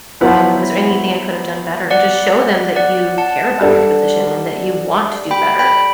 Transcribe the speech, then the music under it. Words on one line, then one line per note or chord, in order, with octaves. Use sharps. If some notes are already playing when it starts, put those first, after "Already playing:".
um, is there anything I could have done better?" And just show them that you care about your position and that you want to do better,
F#3 B3 E4 B4 C5 E5
D5 F#5
D5 F#5
F#5 A5
G3 D4 A4
G5 B5
G5 B5